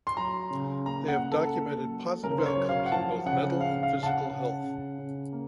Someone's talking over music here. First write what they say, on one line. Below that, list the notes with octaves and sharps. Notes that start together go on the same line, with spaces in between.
They have documented positive outcomes in both mental and physical health.
C6
F#3 A#5
C#3
A#3 A#5
F#5
C#3
A4
A#3 A4
F#3
C#3 A#4
C5
C#5
F#3
F5
F#5
F3 A5
C#3 F#5
C#3 F5
F5
C#3
A5
F#5
C#3
C#3
C#3
A#3